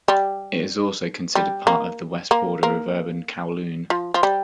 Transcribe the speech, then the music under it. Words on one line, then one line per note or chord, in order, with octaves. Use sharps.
It is also considered part of the west border of urban Kowloon.
G3
G3
A#3
A#3
A#3
F3
F3
G3